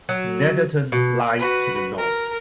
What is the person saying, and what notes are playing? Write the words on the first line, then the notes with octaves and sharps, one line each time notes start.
Netherton lies to the North.
F#3
B2
F#4 B4
A#4